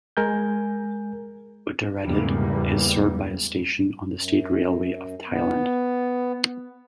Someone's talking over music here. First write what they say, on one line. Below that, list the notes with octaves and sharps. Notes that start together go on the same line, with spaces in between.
Uttaradit is served by a station on the State Railway of Thailand.
G#3 A#4 G#5 G6
E2 G#2 C#3 G3 G#3 A#3
F#2
B3